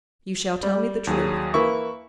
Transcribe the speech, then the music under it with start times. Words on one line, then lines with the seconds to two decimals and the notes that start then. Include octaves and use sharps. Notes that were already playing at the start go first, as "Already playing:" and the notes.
"You shall tell me the truth."
0.63 G3
1.07 D#2 F#3 G#4
1.54 E3 A#3 E4 C#6